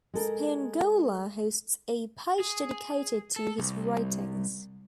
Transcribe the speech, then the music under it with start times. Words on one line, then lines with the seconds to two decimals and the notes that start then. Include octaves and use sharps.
Spingola hosts a page dedicated to his writings.
0.14 G#3 A4 A#4
2.41 G#4
3.36 A4
3.58 C2